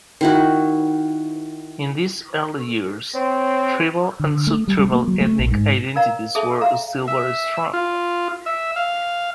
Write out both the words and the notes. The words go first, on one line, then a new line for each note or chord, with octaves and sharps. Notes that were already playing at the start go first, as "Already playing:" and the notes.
In these early years tribal and sub-tribal ethnic identities were still very strong.
D#3 E4 F#4
C4 C#5
D3
A3
G3
G3
A#3
F#3
A3
A#1
G#2
A#4 B4 D5 F5 A#5
G#4 A4 E5 A5
E5 F5 A#5
E5
F4
E5
F5